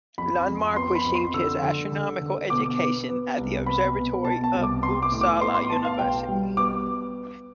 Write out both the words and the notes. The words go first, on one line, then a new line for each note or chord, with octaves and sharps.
Lundmark received his astronomical education at the observatory of Uppsala University.
F2 B5
F2
B3 C6
B5
F2
C6
D3 E6
D3
D3
D3
B2 D6
B3
B3
C2
B3 B5
B2
B2 A5
A5
C2
D6
B3 C6
D6
A2
D6
B3 C6
C6
B3 A5
F5
B1 G5
G3
B3 D6